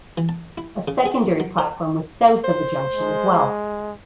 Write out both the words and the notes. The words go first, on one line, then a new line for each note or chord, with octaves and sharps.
A secondary platform was south of the junction as well.
E3
A5
E4
C#3
G#4
F#3
C5
C5
G#3